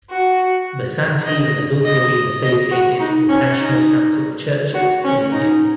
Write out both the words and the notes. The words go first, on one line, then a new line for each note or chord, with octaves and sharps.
Basanti has also been associated with National Council of Churches in India.
F#4
D#5
D#5
D#5
F#4
D#4
C#4
D#4
F#4
C#4
D#4